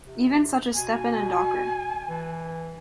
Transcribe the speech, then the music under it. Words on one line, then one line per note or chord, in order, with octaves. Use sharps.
Even such as Stepan and Docker.
C3
B2 G#5
E3